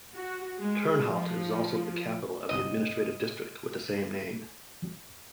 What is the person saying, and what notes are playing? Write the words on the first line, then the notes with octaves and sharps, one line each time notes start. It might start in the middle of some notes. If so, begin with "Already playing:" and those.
Turnhout is also the capital of the administrative district with the same name.
F#4
G#3
F3
G1 C2 D#5 D#7